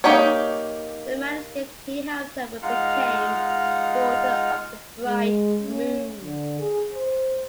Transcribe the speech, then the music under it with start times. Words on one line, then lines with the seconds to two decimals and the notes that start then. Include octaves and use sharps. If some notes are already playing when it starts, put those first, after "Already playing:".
The manuscript he helped her with became "Daughter of the Bright Moon".
0.04 A#3 D#4 G4 C#5
2.62 G#3 D#4 F4 F5 F#5
5.04 G#3
5.62 C#4
6.21 D3
6.60 G#4
6.94 C5